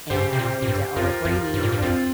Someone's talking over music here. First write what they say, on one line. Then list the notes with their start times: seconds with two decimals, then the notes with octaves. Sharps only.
and or Brainy,
0.10 G2 G4 C5
0.33 C3
0.39 A#2
0.62 A#2
0.68 G2
0.96 F2 F4 A#4
1.25 F2
1.54 G2
1.63 A#2
1.72 G2
1.78 D4
1.82 F2 C4 F4